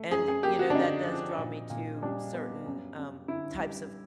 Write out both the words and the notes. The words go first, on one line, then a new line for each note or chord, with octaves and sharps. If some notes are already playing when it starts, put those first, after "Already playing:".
And, you know, that does draw me to certain, um, types of
Already playing: A3
F#2 G#4
G#4
A#3 G4
F#4
D4
D3 D#4
F3
A#2
A#2
G3 D4
B3
F#2
F#2
D3 E4
G3